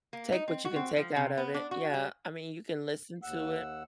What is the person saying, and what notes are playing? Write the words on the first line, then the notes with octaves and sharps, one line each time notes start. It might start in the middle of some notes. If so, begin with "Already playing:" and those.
Take what you can take out of it, yeah. I mean, you can listen to it
A#3
D#4
C4
F#4
C4
F3
C3
B3
D4
F#4
G3
D#2 F#5 E6